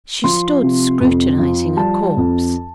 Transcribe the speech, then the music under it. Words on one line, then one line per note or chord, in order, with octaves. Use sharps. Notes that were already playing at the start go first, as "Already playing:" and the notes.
She stood scrutinising a corpse.
F3 C6
C3
F2
F3
G3 A5
F2